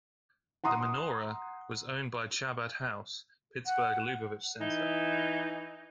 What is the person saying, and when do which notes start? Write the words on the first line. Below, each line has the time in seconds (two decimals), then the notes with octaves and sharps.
The menorah was owned by Chabad House, Pittsburgh's Lubavitch Center.
0.64 F#5 A#5 C6 D#6
3.66 F#5
4.60 E3 D#4